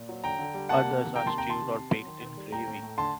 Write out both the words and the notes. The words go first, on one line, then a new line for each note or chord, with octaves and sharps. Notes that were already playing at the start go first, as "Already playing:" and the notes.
Others are stewed or baked in gravy.
Already playing: A#2
F#3
D3 G5 A#5
D3
G3
A#3 F#5 A5
C3
D#3
A#3 G5 A#5
C3 A5 C6
G5 A#5
D#3 A5 C6
C3
C3
F#3
D#3
D#3
G3
A2 G5 A#5
A2
A3
D3 A5 C6